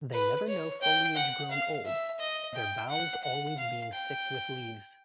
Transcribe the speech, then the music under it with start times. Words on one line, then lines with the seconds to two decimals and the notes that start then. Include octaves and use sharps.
They never know foliage grown old, their boughs always being thick with leaves.
0.13 B4
0.48 C#5
0.82 G5
1.17 F#5
1.51 F5
1.86 E5
2.20 D#5
2.55 G5
2.89 F#5
3.23 F#5
3.58 F5
3.93 G5